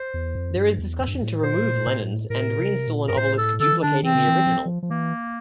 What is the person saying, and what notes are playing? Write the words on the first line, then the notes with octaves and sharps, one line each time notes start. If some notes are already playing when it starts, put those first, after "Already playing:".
There is discussion to remove Lenin's and reinstall an obelisk duplicating the original.
Already playing: C5
E2
F2
G2
E2
F2
G2
F2
A2
A#2 C5
A2
A#2
A2
A2 A#4
C3
A#2
G2 A#4
A2 C5
A4
D3 A4
E3
D3 D4
E3 C4
D3
E3
F3
F3
F3
E3 A#3